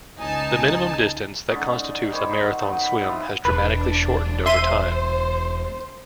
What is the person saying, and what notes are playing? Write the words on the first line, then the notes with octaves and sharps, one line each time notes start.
The minimum distance that constitutes a marathon swim has dramatically shortened over time.
C#2 D#4 G#5 A5
D3 G#3 C#4 D#4
D#3 G3 C5 C#5
D#4 F#5
F#3 B3
B5
F3 G3 B3 E4
E1 D4 B4
C5 E5 C6 D#7